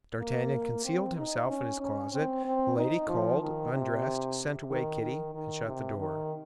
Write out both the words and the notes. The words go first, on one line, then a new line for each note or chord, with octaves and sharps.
D'Artagnan concealed himself in his closet; Milady called, undressed, sent away Kitty, and shut the door.
A#3
C4
D#4
C#4
C#4
C4
C4
D#4
F3
D#3
C3
D#3
D#3
D#3
C3
D#3